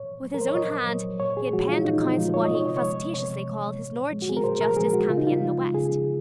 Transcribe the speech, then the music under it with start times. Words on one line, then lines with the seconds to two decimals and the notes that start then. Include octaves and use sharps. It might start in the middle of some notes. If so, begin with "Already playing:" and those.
With his own hand he had penned accounts of what he facetiously called his Lord Chief Justice's campaign in the West.
Already playing: A#2 C#5
0.23 F#3
0.34 A#4
0.41 C5
0.48 C#5
0.55 A#2 D#5
0.87 F#3
1.20 A#2 C#5
1.37 G#4
1.53 F3 G#3 F#4
1.69 F4
1.85 A#2 D#4
2.02 D#4
2.17 F3 G#3 F4
2.34 C#5
2.45 C3 D#5
2.55 C#5
2.66 D#5
2.77 C#5
2.82 F3 G#3
3.14 C3 C#5
3.48 F3 G#3
3.79 A#2
4.12 F3 G#3
4.22 F#4
4.29 G#4
4.37 A#4
4.44 A#2 C5
4.61 A#4
4.77 F3 G#3 G#4
4.93 F#4
5.09 C#3 F4
5.18 D#4
5.27 F4
5.42 F3 G#3
5.74 C#3 G#4